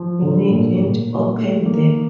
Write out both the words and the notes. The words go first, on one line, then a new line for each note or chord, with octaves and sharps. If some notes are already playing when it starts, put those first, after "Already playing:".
You needn't open them.
Already playing: F3
D3
A#2
A#2
A#2
A3
A#3